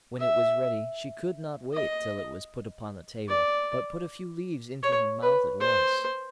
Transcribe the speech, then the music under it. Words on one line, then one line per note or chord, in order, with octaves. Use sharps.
When it was ready, she could not wait till it was put upon the table, but put a few leaves into her mouth at once.
E5
D#5
D5
C#5
B4
C5